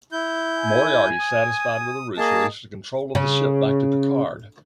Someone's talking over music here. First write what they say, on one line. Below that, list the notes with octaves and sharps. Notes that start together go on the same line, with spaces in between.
Moriarty, satisfied with the ruse, releases control of the ship back to Picard.
E4 G6
G#5
D#6
A#3 G#4 D#5 A5
C#3